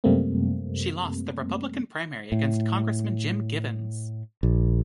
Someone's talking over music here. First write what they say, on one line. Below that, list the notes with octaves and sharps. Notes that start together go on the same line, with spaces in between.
She lost the Republican primary against Congressman Jim Gibbons.
F#2 C3 G3 A3 A#3 C4
A2
A#1